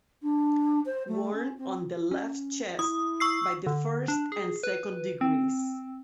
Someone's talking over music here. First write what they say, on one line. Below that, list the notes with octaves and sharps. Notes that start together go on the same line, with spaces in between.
Worn on the left chest by the first and second degrees.
D4
C5
A3
C#4
C4
C#4
E4 D#6
C#6 E6 C7
D3
D4
G#4
B4
C4